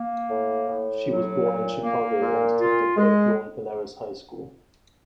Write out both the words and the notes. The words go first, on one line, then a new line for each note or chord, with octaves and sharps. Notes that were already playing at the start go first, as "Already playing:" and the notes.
She was born in Chicago and attended Oak Lawn Polaris High School.
Already playing: A#3
A2
A2
F#3
A#2
A#3
A#2
F4
G#3